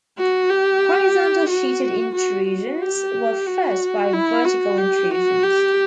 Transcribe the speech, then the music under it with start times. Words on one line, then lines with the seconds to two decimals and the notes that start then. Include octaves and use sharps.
Horizontal sheeted intrusions were fed by vertical intrusions.
0.18 F#4
0.50 G4
1.49 F#4
2.15 F#4
2.48 F#4
2.82 G4
3.47 F#4
4.13 E4
4.45 F#4
4.78 G4
5.11 F#4
5.44 G4